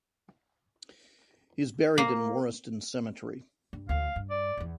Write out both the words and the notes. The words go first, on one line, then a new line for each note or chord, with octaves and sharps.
He is buried in Warriston Cemetery.
A#3
G2
D2 E3 F5
G2
D5
E2 E3